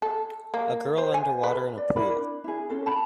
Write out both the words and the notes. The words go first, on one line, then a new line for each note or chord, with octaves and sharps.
A girl underwater in a pool.
A4
A#3
C5
G#5
B4
D5
E4 A#4 D5 B5
D4
E4 G#4
C#4 A4 C5
A5 B5